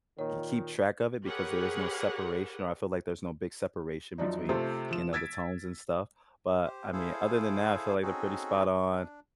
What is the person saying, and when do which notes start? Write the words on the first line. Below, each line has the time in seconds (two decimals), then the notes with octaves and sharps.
k keep track of it, because there is no separation, or I feel like there's no big separation between, you know, the tones and stuff, but, I mean, other than that, I feel like they're pretty spot on.
0.19 A#2 D#3 C#5
1.24 G4 G#4 A#4 B4 C#5 F#5
4.18 F#2 F3 D4 D#4
4.49 C3 A3 F4 C5
4.91 F3 E7
5.13 E6 G#6 A6 B6 D7
6.65 G4 C5
6.93 E4 G#4 A4 C5 F5
8.03 C4 C#4 D#4 F#4 G#4 A4
8.92 D4